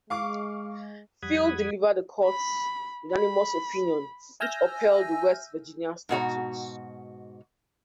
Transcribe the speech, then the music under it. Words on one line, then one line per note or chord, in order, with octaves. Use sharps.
Field delivered the Court's unanimous opinion which upheld the West Virginia statute.
G#3 F5 C#6 D6
F2 G3 F#5 B5 D#6 G#6
B5
B5
E5 G#5 E6 F6 G6 A#6
G#2 B2 F#4 A#5